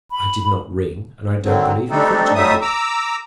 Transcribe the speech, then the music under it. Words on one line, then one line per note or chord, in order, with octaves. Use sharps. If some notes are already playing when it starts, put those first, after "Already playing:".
I did not ring, and I don't believe he thought I did.
B5
D3 D#3 F#3 C4
G3 A3 C4 D4 D#4 A4
F#3 G3 A3 D#4 E5 D#6
A#5 D6 E6